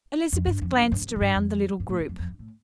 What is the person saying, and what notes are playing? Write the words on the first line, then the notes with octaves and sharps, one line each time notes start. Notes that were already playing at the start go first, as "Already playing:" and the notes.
Elizabeth glanced around the little group.
F2
G2
F2
G2
F2
G2
G2
F2
A2
G2
F2
G2
A2
A2
F2
F2
G2
A2